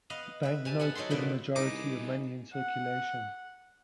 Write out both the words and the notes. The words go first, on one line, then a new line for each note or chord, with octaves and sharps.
Banknotes were the majority of the money in circulation.
B3 B4 D#5 F5
B4 E5
C3 G#5 A5
B3 F#5 G#5 A5 B5
F#3 D#4 A4 B5 C6
A#2 D3 B3 B4 E5
C2 D#4 G#4 B4 D6
F#5